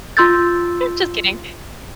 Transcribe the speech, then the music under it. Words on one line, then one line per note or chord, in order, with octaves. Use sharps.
Just kidding.
F4 C6 E6 G6 A6